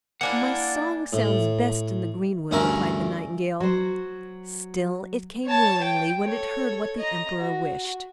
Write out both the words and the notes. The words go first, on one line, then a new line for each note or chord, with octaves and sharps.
"My song sounds best in the greenwood!" replied the Nightingale; still it came willingly when it heard what the Emperor wished.
A#3 D4 E4 F#5 G#5
A2
D2 G2 C#4 A#4 E5 B5
F#3 C5
C#5 A5
G5
A4 C#5
D#5 A#5
F#4